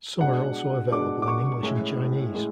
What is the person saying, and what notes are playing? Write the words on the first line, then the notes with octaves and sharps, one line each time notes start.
Some are also available in English and Chinese.
B2 G#3 D4 F#5
B2 G#3 D4 D6
D6
C#6
A2 G#3 C#4 E4
A2 G#3